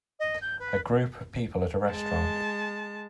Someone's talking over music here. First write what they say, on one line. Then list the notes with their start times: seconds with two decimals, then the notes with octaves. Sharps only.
A group of people at a restaurant.
0.19 D#5
0.41 G6
0.59 B4
1.90 G#3 A5